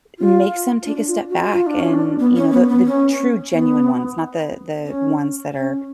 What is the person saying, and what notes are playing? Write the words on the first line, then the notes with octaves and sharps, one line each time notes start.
makes them take a step back and, you know, the the true genuine ones, not the the ones that are
F4
D4
F4
F#4
F4
D4
C#4
D4
B3
C#4
B3
B3
C#4
B3
C#4
C#4